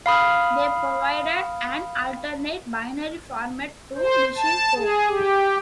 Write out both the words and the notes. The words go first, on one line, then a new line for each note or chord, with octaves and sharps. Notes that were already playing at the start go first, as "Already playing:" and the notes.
They provided an alternate binary format to machine code.
F5 B5 D#6 F6
C5
A5
G#4
G4